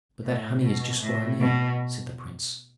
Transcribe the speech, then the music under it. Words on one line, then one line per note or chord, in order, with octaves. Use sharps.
"But that honey is just what I need," said the prince.
A2
B2
A2
B2